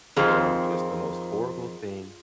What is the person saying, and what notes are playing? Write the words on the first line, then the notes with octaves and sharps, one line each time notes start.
or just the most horrible thing
F2 D#3 C4 F4 G#4 F6